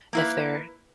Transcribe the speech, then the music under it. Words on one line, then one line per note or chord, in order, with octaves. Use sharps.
if they're
A#3 E4 B4